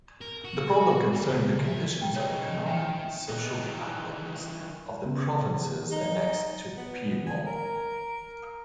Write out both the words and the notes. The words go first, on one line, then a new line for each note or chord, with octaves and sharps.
The problem concerned the condition of economic and social backwardness of the provinces annexed to Piedmont.
A#4
F#4
D#2 D#3
C#2
C2 E5
G5 A#5
C#3 D#4 C#5
D#3 E5 G5 G#5
B3 D#4
D#3 E3
C#3 B3
D#4
B3
G#5
A#4